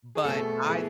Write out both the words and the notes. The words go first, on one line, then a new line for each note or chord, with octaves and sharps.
But I
G#4
B2 A3 C4 A4
E3 B3 G#4